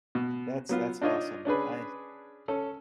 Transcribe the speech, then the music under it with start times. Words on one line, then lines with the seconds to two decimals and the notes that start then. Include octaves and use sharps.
That's that's awesome. I
0.15 B2
0.69 F#3 B3 F4
1.02 D4 D#4 F4 C#5 D#5
1.45 C#4 D4 G#4 B4
2.48 C#4 A4